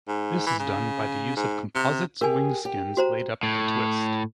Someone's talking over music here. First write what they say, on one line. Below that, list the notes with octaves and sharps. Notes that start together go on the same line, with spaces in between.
This is done by the use of composites wing skins laid-up to twist.
G#2
E3
C#3
G#2
C3
G4 G#4 A#4 G#5
G4
F#4 C5 A#5
A2